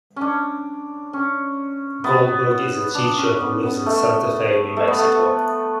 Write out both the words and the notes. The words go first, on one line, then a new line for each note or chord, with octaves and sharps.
Goldberg is a teacher who lives in Santa Fe, New Mexico.
C#4 D4
C#4
B3
D4
C#4
B3
B3
A3
A3
B3
A3